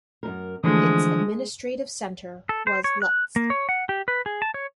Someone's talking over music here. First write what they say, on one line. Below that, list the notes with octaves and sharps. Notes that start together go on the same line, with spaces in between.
Its administrative centre was Lutsk.
F#2 A#2 A#4
D3 E3 F3 G#3 A3 D#6
A4
C5
C#5
F#6
A#3
C#5
F#5
G4
B4
G#4
A5
C#5